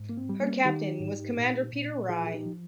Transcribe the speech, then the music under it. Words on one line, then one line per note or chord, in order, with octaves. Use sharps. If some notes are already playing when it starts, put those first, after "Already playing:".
Her captain was Commander Peter Rye.
Already playing: G#2
A#3
C4
G3
A#3 C#4
D#3 D#4 G4
G#2
A#2
A#2
F3 F4 G#4
G#4
D#4 G4
F3